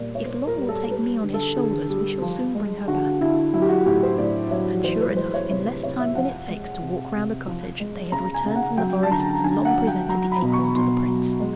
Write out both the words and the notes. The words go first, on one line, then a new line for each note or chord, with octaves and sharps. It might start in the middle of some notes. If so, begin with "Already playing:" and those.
If Long will take me on his shoulders, we shall soon bring her back.' And sure enough, in less time than it takes to walk round a cottage, they had returned from the forest, and Long presented the acorn to the prince.
Already playing: A#2 G3 D5
C#5
A#2 C5
A#4
G3
A4
G3 B4
D3
A4
D3 G#4
G3
F3
G#3
D3 F#4
D3 E4
F#3 E4
G4
F#4
A2 G4
C5
A2 D5
F#3 C#5
E3 C5
B4
G#3 C5
C#5
C3 C#5
C3 C#5
E5
F3 F#5
G#3
C3
C3
F3
G#3
C#3 A#5
G#5
C#3
F#5
F#3 G5
A5
D3 A#5
D3 G#5
F#5
F#3
G5
F#3 A#5
B5
B2
C#6
B2 C6
F#3
G#3